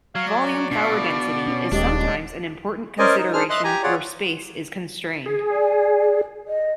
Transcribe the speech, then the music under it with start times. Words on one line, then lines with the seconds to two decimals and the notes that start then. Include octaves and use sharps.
Volume power density is sometimes an important consideration where space is constrained.
0.15 F#3 F5
0.28 D5
0.71 B2 D4 F5
1.47 C#4
1.72 D#1 G#3 D4 G4 D#5
2.99 C#4 A#4 C5 D5 D#5 G#5
3.18 D#4
3.33 D4 G#4 C5 F6
3.50 D#5 E5 C6 F#6
3.64 G4 G#5 A#5
3.83 F4 G#4 C#5 D5 F#5
5.26 G#4
5.51 D5
6.48 D#5